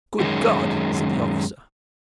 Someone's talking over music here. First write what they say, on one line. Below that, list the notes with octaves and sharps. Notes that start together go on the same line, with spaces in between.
"Good God!" said the officer.
F#2 D#3 G#3 C#4